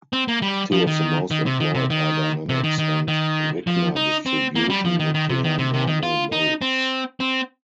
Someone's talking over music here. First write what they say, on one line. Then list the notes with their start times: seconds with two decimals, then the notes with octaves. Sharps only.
Two of the most employed are dynamics and Wigner distribution nuclear normal modes.
0.13 C4
0.28 A#3
0.42 G3
0.72 F3
0.87 D#3
1.31 D#3
1.46 C3
1.60 D#3
1.75 C3
1.90 D#3
2.49 C3
2.64 D#3
2.78 D#3
3.08 D#3
3.67 F3
3.96 D#4
4.26 C4
4.56 A#3
4.69 G3
4.85 F3
4.99 D#3
5.14 D#3
5.30 C3
5.44 D#3
5.59 C3
5.73 C3
5.88 D#3
6.03 F4
6.32 D#4
6.62 C4
7.20 C4